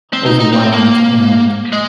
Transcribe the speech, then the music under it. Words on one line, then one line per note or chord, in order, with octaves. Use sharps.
overwhelmed and
C4
D#4
D#4
C4
A#3
G#3